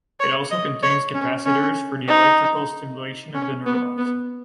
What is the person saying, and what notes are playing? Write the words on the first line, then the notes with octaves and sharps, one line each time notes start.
It also contains capacitors for the electrical stimulation of the neurons.
C#5
D#5
C#5
C#4
C#4
D#4
C#4
B3
B3